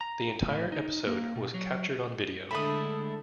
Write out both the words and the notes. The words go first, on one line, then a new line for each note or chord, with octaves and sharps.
The entire episode was captured on video.
A#5
A2
D#4
A#3
B2
F#3
D3 G#3 A3 E4 A4 B5 D#6